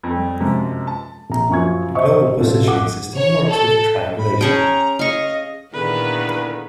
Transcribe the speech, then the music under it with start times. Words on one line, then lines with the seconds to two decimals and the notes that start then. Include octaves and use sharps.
The global positioning system works with triangulation.
0.03 F2 A4
0.16 G3
0.40 F#2 C3 F3 G#3
0.87 A5
1.30 A#1 A#5
1.49 F#2 F3 C#6 G#6
1.95 C5 D#5 E5 C#6
2.40 A1 B2 F4 A4
2.67 F#5 D6
3.16 C#5
3.49 A4
4.18 B5
4.41 C#4 G#4 G5 A5
4.55 A#5
4.99 D#5 F5 C#6
5.74 A#2 D3 D#3 B3 E4 G#4 B4